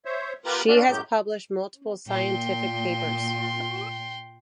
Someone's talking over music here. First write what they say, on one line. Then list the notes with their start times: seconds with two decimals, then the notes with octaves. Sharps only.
She has published multiple scientific papers.
0.05 C5 C#5 E5
0.45 B3 F4 G4 A#4 B4
0.68 C#4 D4 F#4 D5
0.88 F#2 A2 F#3 G#3 G4 G6
2.08 A#2 G5 C6